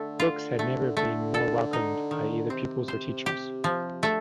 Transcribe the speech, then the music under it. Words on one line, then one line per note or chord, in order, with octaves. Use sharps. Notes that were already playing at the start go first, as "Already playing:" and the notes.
Books had never been more welcomed by either pupils or teachers.
Already playing: D3 A3
F4
A3
D3 A3
A4
D#4
D#3
C3 C4
C5
G4
F3
D3 A3